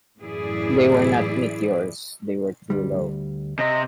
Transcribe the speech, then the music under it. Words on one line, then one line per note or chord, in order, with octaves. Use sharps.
They were not meteors; they were too low.
F#2 A2 E3 E4 G#4 D5
D2 G3
C3 D#5